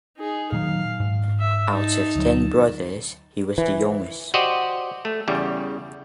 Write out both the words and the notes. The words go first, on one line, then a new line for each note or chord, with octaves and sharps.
Out of ten brothers, he was the youngest.
D#4 G#4
A#2 D#3 F#3 F5
G#2
E5
D#4 A5
D2 F#3
E3
F#4 G4 C5 D5 D#5
A3
E2 C#3 G3